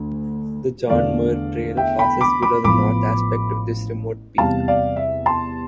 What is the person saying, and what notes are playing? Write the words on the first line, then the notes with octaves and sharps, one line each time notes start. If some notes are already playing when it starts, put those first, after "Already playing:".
The John Muir Trail passes below the north aspect of this remote peak.
Already playing: D2 D3
E2 D3 A3 D4 D5 F5
E5 G5
G5 B5
B5 D6
B5 D6
A1 A2 F3 B3 B5 D6
E2 C3 G3 F5 A5
D5 F5
E5
A5 C6